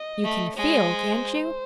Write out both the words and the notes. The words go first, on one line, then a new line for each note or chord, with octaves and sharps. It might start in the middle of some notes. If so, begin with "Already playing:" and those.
"You can feel, can't you?"
Already playing: D#5
A3
G#3 C#5
C5